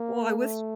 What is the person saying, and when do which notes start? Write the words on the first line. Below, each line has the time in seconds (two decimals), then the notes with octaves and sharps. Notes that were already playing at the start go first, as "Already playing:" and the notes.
Well, I wish
Already playing: A#3
0.38 A3